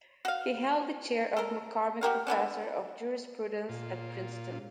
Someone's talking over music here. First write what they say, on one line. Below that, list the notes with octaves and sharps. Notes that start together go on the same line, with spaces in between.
He held the chair of McCormick Professor of Jurisprudence at Princeton.
F#4 F5
A4 A#4
F#4 G4 A#4 F5
D3 B3 C#4 D4
A#2 F4